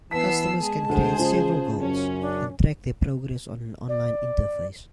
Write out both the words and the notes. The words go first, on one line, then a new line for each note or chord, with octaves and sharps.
Customers can create several goals and track their progress on an online interface.
E3 B3 A5 E6 B6 C7
G#3 G#4
D2 G#4 C5
C#3 F4
F#2 C#4
D4
D5